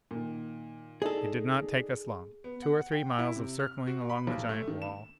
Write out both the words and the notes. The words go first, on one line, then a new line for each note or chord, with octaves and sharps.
It did not take us long--two or three miles of circling along the giant wall.
A#2 D#3
D4 D#4 G#4 A4
B3
F#5
G5
E4
C3
F6
F#4
B5
B1
A3
D#3
E7